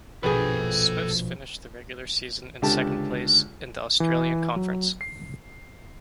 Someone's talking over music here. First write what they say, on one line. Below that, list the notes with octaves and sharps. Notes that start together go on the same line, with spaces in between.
Swifts finished the regular season in second place in the Australian Conference.
A#1 B2 G#4 A4 B4 G5
C#2 D3 G4 A5
E3
F#3
C7